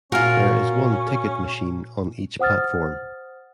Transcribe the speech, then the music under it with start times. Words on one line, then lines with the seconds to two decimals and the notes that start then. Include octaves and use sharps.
There is one ticket machine on each platform.
0.12 A#2 C#4 F4 F#4 A#4 G#5 F6
2.39 C5 F#5 D#6 F6 A6